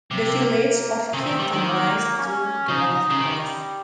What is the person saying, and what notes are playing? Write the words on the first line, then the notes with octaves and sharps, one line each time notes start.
The village of Kirton lies to the north-west.
C3 A#3
C#3 C4
D#3
G3
D#3
A#3
C#4
C#3 D#4
C#3
D#3 G3 G4